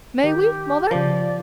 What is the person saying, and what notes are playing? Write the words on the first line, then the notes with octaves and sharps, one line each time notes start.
"May we, Mother?"
D#3 G4
C#3 F3 G4 D5 G6